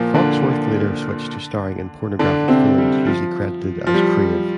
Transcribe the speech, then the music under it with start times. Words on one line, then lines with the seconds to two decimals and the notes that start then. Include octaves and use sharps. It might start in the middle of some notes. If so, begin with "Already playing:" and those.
Foxworth later switched to starring in pornographic films, usually credited as "Crave".
Already playing: A#2 F3 A#3
0.14 D3 D4
2.19 D3 D4
2.48 C3 C4
2.78 G3
3.06 F3
3.87 F3
3.94 G3